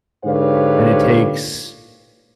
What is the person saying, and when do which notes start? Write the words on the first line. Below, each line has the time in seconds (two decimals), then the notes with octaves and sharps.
and it takes
0.25 G#2 D3 G4 B4 C#5 F5